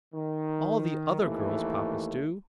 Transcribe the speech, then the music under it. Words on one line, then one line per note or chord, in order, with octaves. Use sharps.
"All the other girls' Papas do."
D#3
D#2 E3 A3